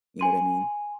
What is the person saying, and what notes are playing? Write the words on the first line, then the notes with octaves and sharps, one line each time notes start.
you know what I mean?
G#5 C6 D#7